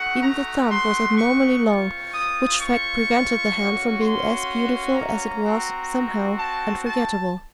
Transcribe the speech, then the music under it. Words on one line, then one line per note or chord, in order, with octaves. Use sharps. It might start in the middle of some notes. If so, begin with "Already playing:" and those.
Even the thumb was abnormally long, which fact prevented the hand from being as beautiful as it was, somehow, unforgettable.
Already playing: A3 D#4 F#4 F#5
A#5
C6
C#6
C4 F4 C#6
D#6
C#6
A#3 C#4 F#4
C6
A#5
C4 F#4
A5
A5